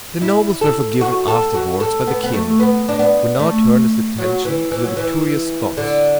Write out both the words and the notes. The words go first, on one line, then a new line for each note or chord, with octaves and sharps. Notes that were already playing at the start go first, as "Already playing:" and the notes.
The nobles were forgiven afterwards by the king, who now turned his attention to the victorious Scots.
E4
A4
F#4
A4
F#4
A4
B3
B3
A3
B3
D4
B3
A3
F#3
E3
E3
F#3
E3
D3